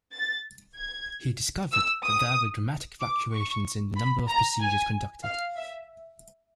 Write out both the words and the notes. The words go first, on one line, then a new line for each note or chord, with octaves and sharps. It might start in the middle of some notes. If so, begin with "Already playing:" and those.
He discovered that there were dramatic fluctuations in the number of procedures conducted.
A6
G#6
E6
D#6
D6
C#6
B5
A#5
G#5
F5
E5